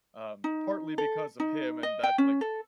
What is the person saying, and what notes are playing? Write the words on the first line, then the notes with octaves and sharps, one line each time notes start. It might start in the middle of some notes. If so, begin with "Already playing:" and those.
Um, partly because of him and that like,
D#4
A4
D#4
D#5
G5
C#4
A4